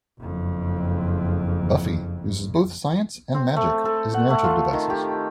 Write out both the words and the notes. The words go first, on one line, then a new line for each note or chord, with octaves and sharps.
"Buffy" uses both science and magic as narrative devices.
F#1 F2
C4
A3
A4
F#5
A3
F4
D#3
G4